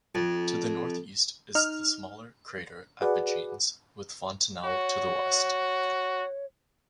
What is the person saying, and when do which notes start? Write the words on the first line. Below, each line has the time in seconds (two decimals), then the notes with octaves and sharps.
To the northeast is the smaller crater Epigenes, with Fontenelle to the west.
0.15 F2
1.55 D#4 F6
3.01 F#4 G#4 B4 D5 F#5
4.64 F#4 C#5